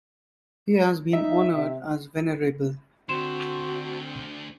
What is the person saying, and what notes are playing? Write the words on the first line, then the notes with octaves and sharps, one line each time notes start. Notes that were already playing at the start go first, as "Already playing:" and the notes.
He has been honored as 'Venerable.
D#4 E5
C3
D2 D3 C4 F#4 C6 E7